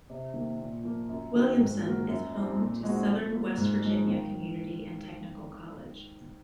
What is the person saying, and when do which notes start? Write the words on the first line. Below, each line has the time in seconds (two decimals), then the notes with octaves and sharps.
Williamson is home to Southern West Virginia Community and Technical College.
0.10 C3
0.34 D#3 A#3
0.59 A#2
0.83 F3 A#3
1.09 F#2
1.34 D#3 F#3 C4 D#4
1.58 G#2
1.83 F#3 A#3 F4 A#4
2.08 F#2
2.33 F3 C4 D#4
2.58 A#2
2.83 G#3 C4 D#4 F#4
3.08 F3
3.32 A#3 F4
3.57 G#2
3.83 F3 G#3 D#4
4.08 D#3